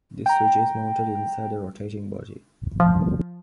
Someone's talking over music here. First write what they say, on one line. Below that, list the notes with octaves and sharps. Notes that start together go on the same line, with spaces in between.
This switch is mounted inside a rotating body.
G5 A#5
F3